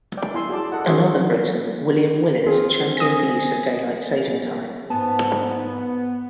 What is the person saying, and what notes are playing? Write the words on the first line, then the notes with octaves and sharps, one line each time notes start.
Another Briton, William Willett championed the use of daylight saving time.
D5 G5
E4 G#5 C6 E6
F#4 G#4 D5 A5
A4 D#5 F#5
C#4 F#4 G#4 C#5 C6
C4 F4 G#4
G#5 D#6 A#6
G#2 B3 G#5 A5